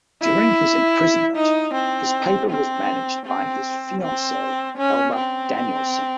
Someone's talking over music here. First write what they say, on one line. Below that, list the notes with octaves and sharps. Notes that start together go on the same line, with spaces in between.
During his imprisonment, his paper was managed by his fiancee, Elma Danielsson.
E4
D#4
C4
C4
C4
C4
C#4
C4